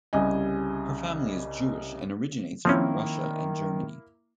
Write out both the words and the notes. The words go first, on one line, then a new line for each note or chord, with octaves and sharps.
Her family is Jewish and originates from Russia and Germany.
C2 C#3 G3 D#5 G#5
D#3 F3 A#3 C4 C#4 E4